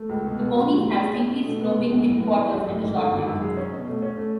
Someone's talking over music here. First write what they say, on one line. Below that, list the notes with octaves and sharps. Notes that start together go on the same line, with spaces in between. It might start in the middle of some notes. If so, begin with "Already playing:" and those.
The ponies have steeply sloping hindquarters and a short neck.
Already playing: A3
C#2
B2
B3
F#3
A1
A2
G#4
C#4
B2
A3
B3
G#3
B1
A2
B3
E3
B1
A2
G#1
D3
G#1
F#2
G#4
C#4
B2
A3
C#4
A3